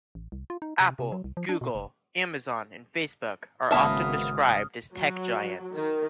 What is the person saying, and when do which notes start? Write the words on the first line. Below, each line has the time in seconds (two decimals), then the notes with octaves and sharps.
Apple, Google, Amazon and Facebook are often described as tech giants.
0.15 A1
0.32 C2
0.50 F4
0.62 D#4
0.80 C3
0.99 C3
1.12 F#3
1.24 C2
1.37 F3
1.49 D4
1.61 B2
1.75 F1
3.71 G#1 C#3 A#3 B3 E5 A5 D#6 F6
4.95 F#3
5.77 D#3